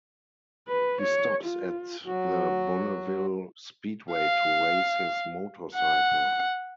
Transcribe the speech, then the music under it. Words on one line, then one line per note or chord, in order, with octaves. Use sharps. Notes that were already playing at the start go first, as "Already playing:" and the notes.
He stops at the Bonneville Speedway to race his motorcycle.
B4
C#5
F4
F#3 F#4
F5
F#5